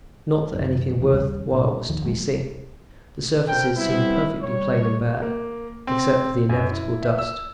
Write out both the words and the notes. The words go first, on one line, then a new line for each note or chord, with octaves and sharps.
Not that anything worth while was to be seen; the surfaces seemed perfectly plain and bare, except for the inevitable dust.
F#2 A2 D#3
D#2 G#2 D#3 E3
D#2 A2 C#3 G3
G2 A#2
D#2 D#3 F3
F1 F2 F#3 G#3
B2 A4 A#4 C5 G5
G3 A3 B3 C4 E4
G3 C#5
A#3
C4
F#2
E4
E5
E6